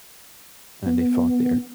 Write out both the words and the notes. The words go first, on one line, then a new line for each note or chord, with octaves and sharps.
and they fought there
B3